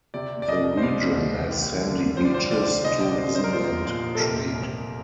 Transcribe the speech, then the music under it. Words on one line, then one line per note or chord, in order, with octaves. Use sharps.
The region has sandy beaches, tourism and trade.
C3 D5
D5
C2 D#5
C5
C2 D5
C2
D#2
D3
F3 C5
D5
C5
D3 D5
C2 D#5
D5
C2 C5
C5
A#4
F3 C5
A#2
A4
C3 A#4
F1